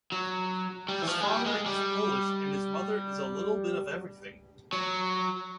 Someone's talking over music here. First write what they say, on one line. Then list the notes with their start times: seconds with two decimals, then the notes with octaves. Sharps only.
His father is Polish, and his mother is "a little bit of everything".
0.12 F#3
0.89 G3
1.02 E3
1.07 F3
1.20 G#3
1.27 G3
1.46 G#3
1.66 G3
4.73 F#3